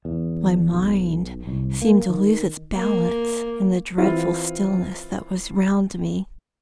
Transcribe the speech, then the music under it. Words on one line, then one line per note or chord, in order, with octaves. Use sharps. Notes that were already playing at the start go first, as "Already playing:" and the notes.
My mind seemed to lose its balance in the dreadful stillness that was round me.
E2
B1
C2
A#3
D#3
A#3
E3 C4 E4 F4